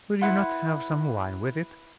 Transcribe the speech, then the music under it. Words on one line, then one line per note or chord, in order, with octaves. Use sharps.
"Will you not have some wine with it?"
E4 B4 F#5 C6